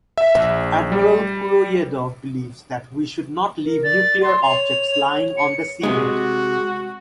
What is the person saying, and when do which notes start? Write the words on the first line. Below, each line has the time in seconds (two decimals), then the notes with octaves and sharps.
Admiral Kuroyedov believes that "we should not leave nuclear objects lying on the seabed".
0.18 E5
0.37 A#1
0.92 G3
3.65 A#4
3.84 D5 A6
4.23 C6
4.42 C#5 F7
5.37 C#7
5.83 C3 G#3 F#4